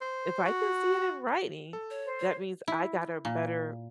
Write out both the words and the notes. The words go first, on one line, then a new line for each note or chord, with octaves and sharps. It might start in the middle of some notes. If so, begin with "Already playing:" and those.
If I can see it in writing, that means I got a better
C5
F#4
A4
C#5
C5
C#5
E4
A#2